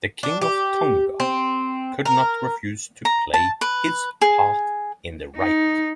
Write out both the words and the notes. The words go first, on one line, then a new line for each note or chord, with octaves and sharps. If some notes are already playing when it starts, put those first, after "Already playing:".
The king of Tonga could not refuse to play his part in the rite.
D4
G4
C4
A#4
A#5
A5
B4
G#4
D#4